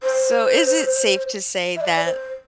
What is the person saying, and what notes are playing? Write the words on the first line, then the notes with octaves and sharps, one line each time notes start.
So is it safe to say that
C5
E5
D5
C5